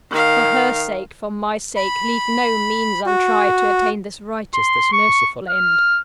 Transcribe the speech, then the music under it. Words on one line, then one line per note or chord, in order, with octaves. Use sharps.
For her sake, for my sake, leave no means untried to attain this righteous, this merciful end.
D#3 F5
B5
F#4
C6
C#6
F6